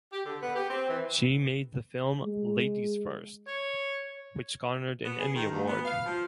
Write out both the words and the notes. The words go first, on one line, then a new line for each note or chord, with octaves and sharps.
She made the film "Ladies First" which garnered an Emmy Award.
G4
D3
B3
G4
C4
E3
G#3
C#5
B3
G#4
D#3
D2
B3
F5
F3